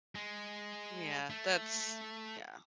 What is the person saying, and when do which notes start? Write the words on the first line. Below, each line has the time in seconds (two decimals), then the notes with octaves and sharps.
Yeah. That's yeah.
0.15 G#3
1.30 A3